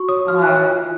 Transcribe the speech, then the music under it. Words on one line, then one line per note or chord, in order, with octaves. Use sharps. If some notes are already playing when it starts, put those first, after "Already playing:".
I know.
Already playing: F#4 C#6
C#5 D#6
F#4 F6
F#6
C#5
F#6
F4